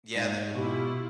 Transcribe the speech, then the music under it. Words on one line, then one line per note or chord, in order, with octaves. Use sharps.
yeah, the
G#2
B2 E4 F4 G4